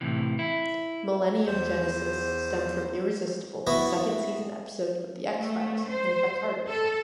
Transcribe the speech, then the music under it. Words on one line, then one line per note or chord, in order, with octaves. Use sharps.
"Millennium" genesis stemmed from "Irresistible", a second-season episode of "The X-Files" penned by Carter.
A2 C3 E3
E4
E2 C5
B3 E4 F#4 E5
A3
C5
A4